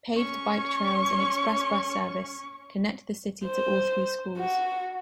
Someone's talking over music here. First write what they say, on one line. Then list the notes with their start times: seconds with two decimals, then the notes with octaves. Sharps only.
Paved bike trails and express bus service connect the city to all three schools.
0.17 C#4 C#6
3.45 C5
4.38 F#4